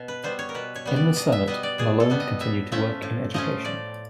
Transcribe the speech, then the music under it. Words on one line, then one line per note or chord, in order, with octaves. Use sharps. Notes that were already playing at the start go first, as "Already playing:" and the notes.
In the Senate, Malone continued to work in education.
Already playing: B2
B4
G3 B3 C5
C#5
A#4
B2 B4
C#5
G3 B3
D5
B2 D#5
E5
G3 B3 D#5
D5
B2 G#4
A4
G3 B3
D#5
A2 E5
F3 A3 C#4 E5
A2
F3 A3 C#4 D#5
A2 D5